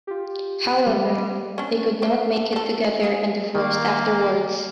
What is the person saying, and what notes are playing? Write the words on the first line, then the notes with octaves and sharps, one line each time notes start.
However they could not make it together and divorced afterwards.
F4 G4
G3 D5
C#4 D4
A#3 C5
A4
F3 A4
G#3 G#4 F5
D#3 A#3